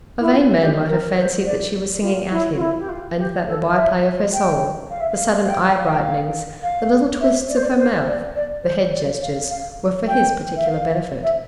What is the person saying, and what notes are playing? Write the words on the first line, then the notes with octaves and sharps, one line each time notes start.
A vain man might have fancied that she was singing at him, and that the by-play of her song--the sudden eye-brightenings, the little twists of her mouth, the head gestures, were for his particular benefit.
E4
F4
G4
A#4
C5
D5
F4
E4
F4
E4
G4
F4
G4
A4
E5
G5
F5
E5
F5
F5
G5
F5
G5
F5
F5
E5
D5
C5
D5
C5
D5
D5
C5
D5
F5
F5
G5
E5
F5
E5